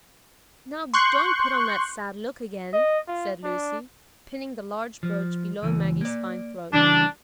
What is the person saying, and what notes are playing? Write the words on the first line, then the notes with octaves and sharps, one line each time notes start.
"Now, don't put on that sad look again," said Lucy, pinning the large brooch below Maggie's fine throat.
C6 C#6 F#6 G6
D#5
F4
D4
F3
C#2 E3
A#3 D5
C#3 E3 G3 D4